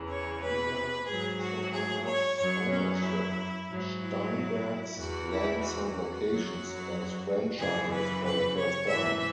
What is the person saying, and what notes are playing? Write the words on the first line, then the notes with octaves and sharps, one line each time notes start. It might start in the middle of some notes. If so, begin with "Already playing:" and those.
Under Socanav's ownership, Steinberg's ran some locations as franchises for the first time.
Already playing: E2 C#3 E3
C#5
B4
G#2 F#3 G#4
F#4
G#4
C#5
F#2 F#3 C#5
C#4
E4
G#2 F#3
E4
E2 E3 F#4
E4
F#4
F#2 F#3
F#2 C#3 E3 G#4
B4
B4
C#5
G#2 E3 E5